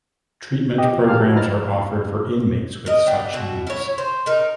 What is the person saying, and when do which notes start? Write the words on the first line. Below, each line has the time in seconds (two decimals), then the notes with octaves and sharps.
Treatment programs are offered for inmates with such needs.
0.78 G4 D#5
0.91 F3
1.06 G4 G#4 A#4 F5 A5 F6
1.22 F#4 E5
1.35 F3 D#4 B4 A#5 F6 A6
2.86 A#4 D#5
3.07 B3 D4 G5
3.33 B2 F#4 E5
3.67 E4 C#5
3.98 C5
4.26 D#4 A#4